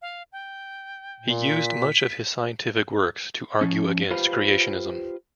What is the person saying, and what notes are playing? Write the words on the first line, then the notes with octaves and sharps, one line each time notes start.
He used much of his scientific works to argue against creationism.
F5
G5
A#2
B6
F3 C#4
F4 G4 B4 C5 F5